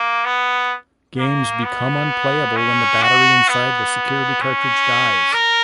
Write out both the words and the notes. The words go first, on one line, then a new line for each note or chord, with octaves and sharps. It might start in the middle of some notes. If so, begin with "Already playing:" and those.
Games become unplayable when the battery inside the security cartridge dies.
Already playing: A#3
B3
A#3
B3
C#4
F#4
B3
C#4
A#4